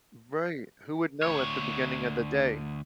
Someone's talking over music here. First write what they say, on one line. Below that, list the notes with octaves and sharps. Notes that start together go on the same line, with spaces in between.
Right. Who would know at the beginning of the day?
D2 C#5